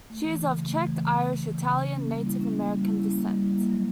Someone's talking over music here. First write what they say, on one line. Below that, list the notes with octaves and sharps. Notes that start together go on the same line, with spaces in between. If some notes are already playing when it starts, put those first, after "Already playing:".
She is of Czech, Irish, Italian and Native American descent.
A3
E3
C#3
C#3
A3
E3
C#3
C#3
A3
E3
C#3
C#3
C#4
A#3
G3
E4
C#4
A#3
G3
E4
C#4
A#3
G3
E4
A#3
F#3